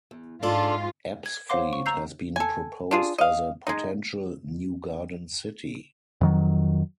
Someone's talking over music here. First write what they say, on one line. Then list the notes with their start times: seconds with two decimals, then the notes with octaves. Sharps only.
Ebbsfleet has been proposed as a potential new garden city.
0.11 E2
0.43 G#2 D4 F4 A4 D5
1.26 G#6
1.49 C5 C#5 F5 F#5 C6 D6
1.73 C#6
1.86 A#5 E6 G6 C7
2.36 A4 G#5
2.91 D4 F4 G#4
3.18 D#5 F5
3.67 G#3 D#4
6.21 F2 D#3 F#3